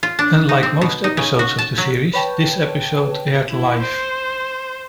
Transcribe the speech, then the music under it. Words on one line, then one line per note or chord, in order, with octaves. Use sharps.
Unlike most episodes of the series, this episode aired live.
F4
D4
D#4
C4
B2
D#4
C#3
F#4
A5
F#3
B4 C#5 G5 A5
E4
C5